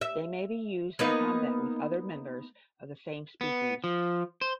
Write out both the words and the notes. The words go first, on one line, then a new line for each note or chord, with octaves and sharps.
They may be used in combat with other members of the same species.
E5
A#3 B3 D#4
B3
F3
C5